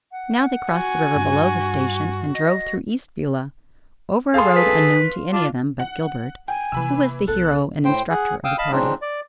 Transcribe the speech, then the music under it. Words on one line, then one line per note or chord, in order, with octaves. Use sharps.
Now they crossed the river below the station and drove through East Beulah, over a road unknown to any of them but Gilbert, who was the hero and instructor of the party.
F#5
F#4 G#5
G2
D#5 A#6
G#4 A4 F5 C6
B4
D4 F4
F#5
G5 G#5
C3 E3 A#3 B5 E6
C2 B3 A4 F#6
A2 C5 G5
G#4 F#5
F5 G5 D#6 E6
D#5 F5 A5 B5
A2 F3 G#3 C4 D4 D#4
D5